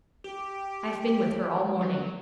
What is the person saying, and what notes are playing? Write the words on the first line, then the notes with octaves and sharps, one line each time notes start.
I've been with her all morning.'
G4
F#3